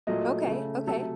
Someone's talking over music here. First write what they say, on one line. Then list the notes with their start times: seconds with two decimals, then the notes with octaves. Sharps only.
Okay, okay.
0.07 A#2 F#3 A3 D#5
0.47 C#3 A3
0.87 C3 F#3 A3 A4